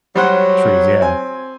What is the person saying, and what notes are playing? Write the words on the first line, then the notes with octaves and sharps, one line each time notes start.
trees, yeah.
F#3 G3 C5 F#5
C4 G#5